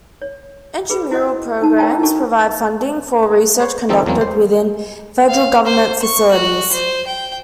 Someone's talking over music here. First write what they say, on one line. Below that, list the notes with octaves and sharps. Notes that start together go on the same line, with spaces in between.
Intramural programs provide funding for research conducted within Federal government facilities.
C#5
G#4 B4 B5
E4 F#4 C5 D#5 F#5 D#6
D#4 A5
A#4 C5 C#5 G5 A5 A#5
D4 F#4 A4 A5 C#6
C5 C#5
D#3 F3 G3 C4 D#4 A4
E2 F#3 A#3 C4 C#4
C5
F5
C5
C#6
F#4
C5
G5